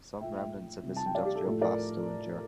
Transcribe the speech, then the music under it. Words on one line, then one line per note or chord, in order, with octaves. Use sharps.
Some remnants of this industrial past still endure.
A#2 F3 A3 E5 G5
E5 G5
C3 G3
A5
G5
D5 F5
G4
A4
A2 F3 A3 A4
A#4 D5